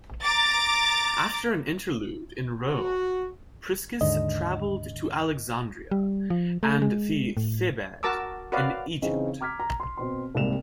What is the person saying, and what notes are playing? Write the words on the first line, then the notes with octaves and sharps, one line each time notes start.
After an interlude in Rome, Priscus traveled to Alexandria and the Thebaid in Egypt.
A#5 D6 A6
F#4
D#2 G#2 D3 D#5
G3
F3
A3
G#3
A2
F#4 A#4 A5 D6 E6
F#4 A#4 B4 C#5 D5 F5
C#3 E3 C4 C#4 D#4
A#5 D6 F6 G#6 B6
A#5
C6
B2 C4 C6
C2 G#2 C3 A#3 E7 F7